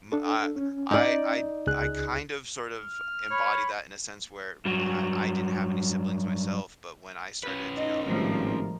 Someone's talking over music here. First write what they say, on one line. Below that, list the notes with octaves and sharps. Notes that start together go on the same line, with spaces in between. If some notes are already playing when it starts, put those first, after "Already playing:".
M I I I I kind of, sort of, embody that in a sense where I I didn't have any siblings myself, but when I started, you know,
D4 A4
C#4
D#4 D5
C#2 G#4 F#6
F6
C#5 B5
G2 F#3
C#4 B4
D#4 D#5
G#1 A2 F3 G3 A#4